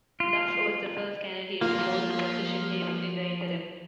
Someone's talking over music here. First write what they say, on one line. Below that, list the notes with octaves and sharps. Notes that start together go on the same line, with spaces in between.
Duff was the first Canadian to hold the position, even in the interim.
F4
F3 A#3 F4 F5